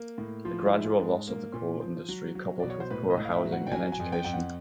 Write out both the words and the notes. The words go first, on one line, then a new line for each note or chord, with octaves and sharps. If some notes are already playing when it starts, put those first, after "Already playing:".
The gradual loss of the coal industry coupled with poor housing and education.
Already playing: A#3
A2
F3 F4
F4
E4
G#3
F4
G#2
A#3
A#2
F3
F#3
F#3
B2 D5
C#5
C5
A2 B4
D#5
A2
F5
E5
F#3
F#5
G5
F#3 G#5
G#5
F2
G5
F2 G5
F#5